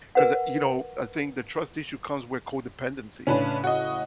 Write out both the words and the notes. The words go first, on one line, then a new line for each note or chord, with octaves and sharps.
'cause, uh you know, I think the trust issue comes with codependency,
A#4 B4 F#5
A2 C#3 C#4 D4 B4
F#4 D#5